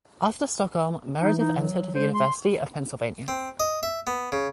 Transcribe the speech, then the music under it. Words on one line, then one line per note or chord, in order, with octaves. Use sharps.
After Stockholm, Meredith entered the University of Pennsylvania.
E3 D#4
D#4
F#3
G#3 C5
C6
C4
D#5
E5
B3
C#3